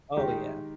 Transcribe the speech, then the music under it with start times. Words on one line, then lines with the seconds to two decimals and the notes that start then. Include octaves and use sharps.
Oh, yeah.
0.16 D#3 G#3 D#4 G4